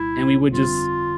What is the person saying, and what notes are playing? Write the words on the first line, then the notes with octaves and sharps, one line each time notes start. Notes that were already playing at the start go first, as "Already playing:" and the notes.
and we would just
Already playing: C2 A#2 G3 E4
G1 F2 D3 G3 C4 F4